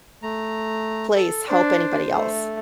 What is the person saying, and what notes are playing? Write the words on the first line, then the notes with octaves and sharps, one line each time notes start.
place, help anybody else.
A3 A#5
A4
D4 C5
A3